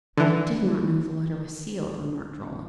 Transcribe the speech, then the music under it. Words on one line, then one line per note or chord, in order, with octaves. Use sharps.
"I did not know the letter was sealed," remarked Roland.
D3 E3